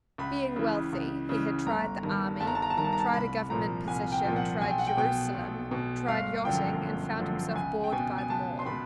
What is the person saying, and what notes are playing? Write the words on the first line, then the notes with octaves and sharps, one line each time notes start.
Being wealthy, he had tried the army, tried a Government position, tried Jerusalem, tried yachting and found himself bored by them all.
C#2 B5
C#3 E3
C#2
C#3 E3
G1 A#5
G2 D#3
G1 A5
A#5
A5
A#5
A5
G2 D#3 A#5
A5
A#5
A5
C2 B5
A#2 F3 A#5
C2 G#5
G5
A#2 F3
F#5
B1 G#5
G5
F#5
G5
B2 G5
B1
B2
G1 F5
F#2 D3 F3 G5
G1
F#2 D3 F3
C#2 G#5
G5
B2 G#5
G#5
C#2 A5
C6
B2 B5